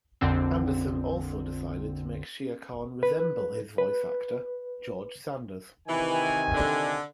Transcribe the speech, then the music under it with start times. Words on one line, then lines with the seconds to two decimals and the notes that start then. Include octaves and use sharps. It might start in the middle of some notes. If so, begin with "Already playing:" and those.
Anderson also decided to make Shere Khan resemble his voice actor, George Sanders.
0.21 A#1 F2 D3 C4
3.03 B4
3.78 B4
5.88 C3 D#3 E3 G#5
6.54 D3